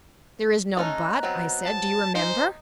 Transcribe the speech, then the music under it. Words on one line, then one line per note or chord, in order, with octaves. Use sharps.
"There is no 'but.' I said, do you remember?"
A3 C#4 D#4 D#5 A#5 F#6
F#3 B3 C4
A5
D#4 C5 G#5 A#5